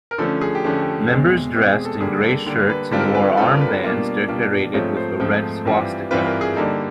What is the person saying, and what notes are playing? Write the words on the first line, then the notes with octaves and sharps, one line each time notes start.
Members dressed in grey shirts and wore armbands decorated with a red swastika.
A#4
D3 F3 A3 C#4 A4
G#4
G4
D3 F3 A3 C#4
G4
E2 B2 G#3 C4
E2 B2 G#3 C4 G4
G#4
A4
D3 G3 A#3 G#4
A4
D3 G3 A#3
B4
D3 G3 C4 F4 A4
A#4
A4
B4
D3 G3 C4 F4 A4
A#4
B4
A#4
B2 G3 A#3 D4 F4
B2 G3 A#3 D4 F4
G#2 F3 A3 C4 F4 C#5
C5
G#2 F3 A3 C4 F4
G2 E3 G3 C4 F4
G2 E3 G3 C4 F4 B4
A#4
G#4
D3 G3 A#3 D#4 A4